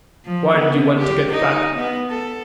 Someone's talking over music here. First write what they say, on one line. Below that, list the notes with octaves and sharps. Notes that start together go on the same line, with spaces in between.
Why did you want to get fat?
F3
B3
G4
D#4
B3
A4